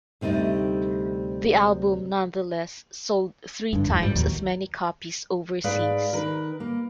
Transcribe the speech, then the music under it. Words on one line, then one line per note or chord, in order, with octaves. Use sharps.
The album nonetheless sold three times as many copies overseas.
D2 C3 G3 A3 D#4
G2 D3
E2 G#2
A1 G2 G3
A1 D#2 D#3 F#3
G#2 G#4 B4 D5 F5
D#3 A#4 B4
A#3